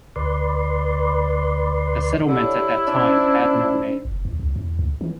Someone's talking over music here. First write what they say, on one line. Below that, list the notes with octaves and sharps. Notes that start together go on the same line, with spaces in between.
The settlement at that time had no name.
D2 B4 D5 C6
D3 E4 G4 C#5
C#4 D4 C5
F#1
D#2
C#2
E2
D2
E3